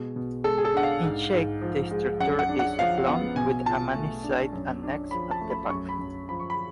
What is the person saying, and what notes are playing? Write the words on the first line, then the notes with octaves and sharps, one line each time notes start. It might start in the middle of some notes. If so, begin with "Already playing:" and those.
In shape the structure is oblong, with a many-sided annex at the back.
Already playing: B2 G#3
B2
G#3 A4
G#4
A4
D4 F#5
F5
G#2
G#2
F3
G#3
F#2 F#5
F#5
D4
F#5
F3 F5
F5
B3 F#5
B2 G#5
F4 A5
A3
D4
F#2
D4
F3 B5
A5
A3
B5
F#2 C#6
B5
F#2
F3 B5
C#6
B5